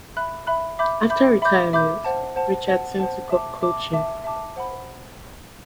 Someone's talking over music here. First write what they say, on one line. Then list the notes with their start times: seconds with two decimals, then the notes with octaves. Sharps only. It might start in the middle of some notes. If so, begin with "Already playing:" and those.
After retirement, Richardson took up coaching.
0.17 E5 B5 F#6
0.47 E5 B5 F#6
0.79 E5 B5 D6 G6
1.10 E5 B5 D6 G6
1.42 E5 B5 D6 G6
1.73 E5 B5 D6 G6
2.04 C5 F#5 A5
2.36 C5 F#5 A5
2.67 C5 F#5 A5
2.99 C5 F#5 A5
3.30 E5 A5 D6
3.61 E5 A5 D6
3.93 E5 A5 D6
4.24 E5 A5 D6
4.56 C5 F#5 B5